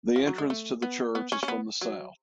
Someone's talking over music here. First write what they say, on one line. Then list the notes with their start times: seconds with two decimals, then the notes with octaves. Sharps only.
The entrance to the church is from the south.
0.16 F3
0.27 F#3
0.38 G#3
0.50 A3
0.82 B3
1.15 B3
1.32 C#4
1.43 C#4
1.48 B3
1.81 F#3